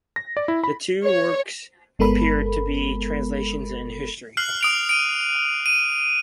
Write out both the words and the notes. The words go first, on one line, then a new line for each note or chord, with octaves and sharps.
The two works appear to be translations and history.
A#6
D5
E4
B5
C#5
G1 G#3 B3 A4 A#4 B5
F6 F#6 C7 F#7
D#6 D7 F7
D7 D#7
D#7